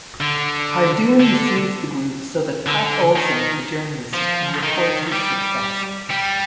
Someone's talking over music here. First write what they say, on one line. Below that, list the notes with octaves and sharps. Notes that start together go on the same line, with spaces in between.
Hardoon receives the group so that Pat Olsen, the journalist, can report his success.
D3
D3
D3
D#3
F3
D#3
G3
G3